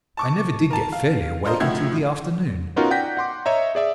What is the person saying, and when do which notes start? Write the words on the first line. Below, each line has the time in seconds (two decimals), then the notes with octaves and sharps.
I never did get fairly awake until the afternoon.
0.17 A5 C#6 D6
0.71 A#4 A5
0.92 F5
1.45 D4 F4 A#4 C5 D#5
1.60 A2 D#3 F3 F#4 E5 G#6
2.76 B3 C#4 D#4 F4 F#4 A#4
2.90 D5 F#5 G5 G6 A#6 B6
3.17 F#5 C6 D6
3.45 C#5 D#5 E5 A#5
3.75 G#4 D5 E5